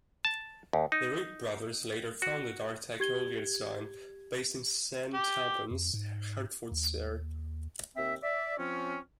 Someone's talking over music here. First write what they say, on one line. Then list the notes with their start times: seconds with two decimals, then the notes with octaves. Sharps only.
The Ripp brothers later founded R-Tec Auto Design, based in Saint Albans, Hertfordshire.
0.25 A5
0.73 D#2
0.92 D#4
2.22 F#4
3.00 G4 G#6 G7
5.14 G4
5.71 F2
5.94 G#2
6.72 D#2
7.96 D#2 C4 E5
8.23 D5 E5
8.58 F3 C4 C#4